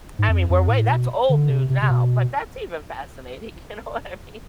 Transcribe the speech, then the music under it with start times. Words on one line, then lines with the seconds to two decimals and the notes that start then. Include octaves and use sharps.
I mean, we're way that's old news now, but that's even fascinating, you know what I mean.
0.19 G#2
0.29 F2
0.50 F2
0.69 A2
0.90 B2
1.29 D3
1.49 C3
1.70 C3
1.82 C3
1.90 B2